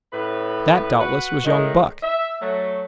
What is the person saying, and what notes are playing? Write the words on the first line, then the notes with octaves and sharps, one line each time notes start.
That, doubtless, was young Buck.
A2 C#3 B4
F#4 B4
A2 D#3 G#3
E5
F#3 A3